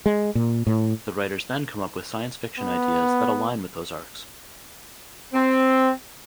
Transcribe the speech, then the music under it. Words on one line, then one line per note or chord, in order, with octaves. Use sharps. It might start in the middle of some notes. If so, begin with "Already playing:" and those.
The writers then come up with science fiction ideas that align with those arcs.
G#3
A#2
A2
B3
C4